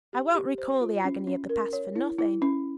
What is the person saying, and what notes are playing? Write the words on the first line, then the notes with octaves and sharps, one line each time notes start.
I won't recall the agony of the past for nothing.
G4
G4
C5
F4
C#4
C#4
A#4
C#5
E4
E4
C#4